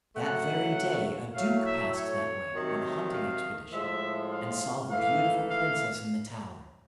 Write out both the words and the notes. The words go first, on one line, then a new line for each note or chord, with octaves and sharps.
That very day a duke passed that way on a hunting expedition and saw the beautiful princess in the tower.
C#3 F#3 A3 F#5
A2 F#3 A3 F5
E5
C#5
C3 D#3 F#3 A3
F5
A2 F3 G#3 E5
F5
G#2 E3 A3 F5
F5